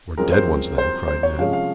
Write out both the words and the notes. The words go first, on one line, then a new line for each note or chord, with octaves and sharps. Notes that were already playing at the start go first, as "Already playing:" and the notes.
"We're dead ones, then!" cried Ned.
F#2 F3 G#3 C4 A#4
C5
C5
C5
C#5
C3 F3 G#3 C#4 F5
F5